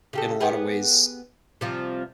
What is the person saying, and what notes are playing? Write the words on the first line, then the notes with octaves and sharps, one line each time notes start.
In a lotta ways,
C#3 G4 A4
B3 G4 G#4
C3 F3 G3